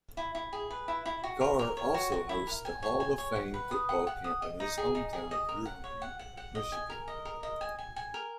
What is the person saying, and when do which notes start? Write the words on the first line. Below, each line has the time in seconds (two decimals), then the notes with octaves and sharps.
Carr also hosts the Hall-of-Fame Football Camp in his hometown of Riverview, Michigan.
0.17 E4
0.35 E4
0.53 G#4
0.71 B4
0.88 E4
1.06 E4
1.24 F#4
1.41 A#4
1.59 A#4
1.77 C#5
1.94 F#4
2.12 F#4
2.29 E4
2.47 A#4
2.65 G#5
2.82 C#5
3.00 G#5
3.18 C#5
3.36 F#5
3.54 B4
3.71 D#6
3.89 F#5
4.07 F#5
4.24 D#6
4.42 D#5
4.60 D#4
4.78 G#4
4.95 D#4
5.13 G#4
5.31 D#5
5.49 A#4
5.65 F#5
5.84 C#5
6.02 F#5
6.19 F#5
6.37 F#5
6.55 D#5
6.72 G#5
6.90 A#4
7.08 D#5
7.25 A#4
7.43 D#5
7.61 G#5
7.79 G#5
7.96 G#5
8.14 A#4